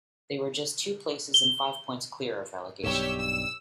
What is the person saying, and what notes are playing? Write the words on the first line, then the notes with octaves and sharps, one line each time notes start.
They were just two places and five points clear of relegation.
G7
B1 G2 G4 C#5 E6
E6